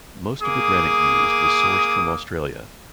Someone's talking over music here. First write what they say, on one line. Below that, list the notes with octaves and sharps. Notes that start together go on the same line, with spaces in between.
Most of the granite used was sourced from Australia.
A#3 G#4 D6 D#6